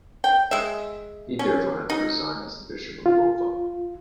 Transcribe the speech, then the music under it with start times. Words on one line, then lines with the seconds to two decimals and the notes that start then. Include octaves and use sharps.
He therefore had to resign as bishop of Bova.
0.24 G5
0.51 G#3 E5
1.39 C#4
1.90 D#4
3.06 F4